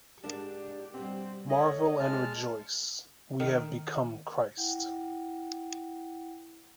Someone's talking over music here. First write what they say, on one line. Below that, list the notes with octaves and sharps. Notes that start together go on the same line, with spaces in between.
Marvel and rejoice: we have become Christ.
G#2 D4 G4 A#4 A5
G2 B2 C4
A3 E4 C#5 D#5
G#3 A5 F6
D#3
E4 F#5 G5